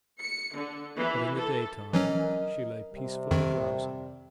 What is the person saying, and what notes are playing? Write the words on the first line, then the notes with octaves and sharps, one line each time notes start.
But in the daytime, she lay peacefully drowsing.
C#7
D3
E3
A4
E3 F#3 C#4 A#4 D#5
C3 G3
F2 D#3